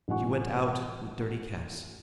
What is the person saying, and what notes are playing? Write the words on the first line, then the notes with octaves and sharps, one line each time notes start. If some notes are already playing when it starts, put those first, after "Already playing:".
She went out, with dirty caps.
A1 G3 F4 F#5 G#5 C#6